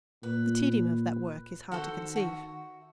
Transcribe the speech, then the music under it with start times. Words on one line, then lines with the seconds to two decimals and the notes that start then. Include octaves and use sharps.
The tedium of that work is hard to conceive.
0.23 A#2 B4
1.72 D#3 F#4 A4 C5
2.16 F#4 E5